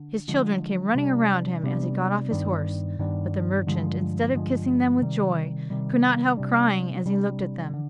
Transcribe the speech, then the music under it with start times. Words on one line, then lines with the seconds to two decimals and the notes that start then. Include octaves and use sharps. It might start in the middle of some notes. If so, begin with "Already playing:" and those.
His children came running round him as he got off his horse; but the merchant, instead of kissing them with joy, could not help crying as he looked at them.
Already playing: D3
0.28 D3 F3 G#3
0.95 C3 G3 B3 D4
1.63 C3 G3 B3 D4
2.31 G2 D#3 B3 D4
2.99 G2 D#3 B3 D4
3.66 G2 D3 F3 G#3
4.34 G2 D3 F3 G#3
5.02 C3 D#3 G3
5.70 C3 D#3 G3
6.37 C3 G3 D4
7.05 C3 G3 D4
7.74 D3